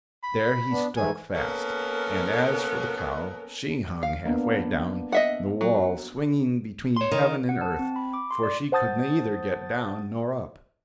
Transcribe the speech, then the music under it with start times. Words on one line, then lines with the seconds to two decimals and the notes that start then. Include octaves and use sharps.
There he stuck fast; and as for the cow, she hung half-way down the wall, swinging between heaven and earth, for she could neither get down nor up.
0.23 B5
0.70 B3 D4
0.97 G#2 E3 A3 G#5
1.35 A#3 B3 C#4 A4 A#4
4.03 F5
4.25 A#3 B3 D4
5.12 D#5 E5 F#5
5.61 F#3
6.96 C#5 C6
7.12 D#3
7.49 F#5
7.61 A5
7.79 C4
7.96 B5
8.14 D6
8.31 C6
8.43 D5
8.72 C5 F#5 A5 D#6 G6 A6